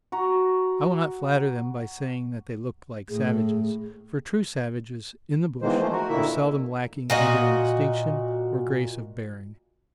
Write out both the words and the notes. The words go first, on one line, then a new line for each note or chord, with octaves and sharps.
I will not flatter them by saying that they looked like savages, for true savages in the bush are seldom lacking either in distinction or grace of bearing.
F#4 A#5
A2 G#4
B2 D#3 E3 G#3 A#3 C5
E3 F3 A3 A#3 C5
F#4 A#4
D2 A#2 D#3 A#3 E4 E5
A#2 F#4 D#5